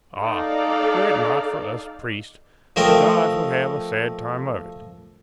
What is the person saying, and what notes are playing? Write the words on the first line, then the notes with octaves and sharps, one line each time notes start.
Ah! were it not for us priests, the gods would have a sad time of it.
D#4 A4 D5 F5
F3 A3 A#4 D#5 G5